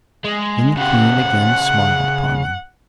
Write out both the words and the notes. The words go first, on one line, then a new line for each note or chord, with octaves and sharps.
Then the Queen again smiled upon them.
G#3
C#3 G4 F#5